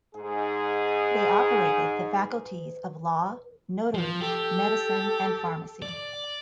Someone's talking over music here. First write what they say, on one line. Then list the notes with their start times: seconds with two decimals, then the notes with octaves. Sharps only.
They operated the Faculties of Law, Notaries, Medicine and Pharmacy.
0.15 G#2 G#4
3.94 F3
4.21 G4 A4
5.82 D5